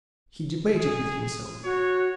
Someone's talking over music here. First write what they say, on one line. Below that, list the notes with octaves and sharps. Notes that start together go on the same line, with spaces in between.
He debated with himself.
G#4
F#4 C#5